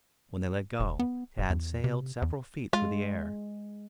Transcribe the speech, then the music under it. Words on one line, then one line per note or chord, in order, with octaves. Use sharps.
When they let go, Tad sailed several feet through the air.
E1
B3
E1
E2
C3
E2
G#3 F4